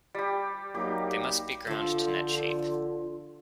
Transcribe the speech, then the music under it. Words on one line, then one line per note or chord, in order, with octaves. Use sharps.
They must be ground to net shape.
G3 G4
F#3 A#3 D#4 G4
D3 F3 F4 A4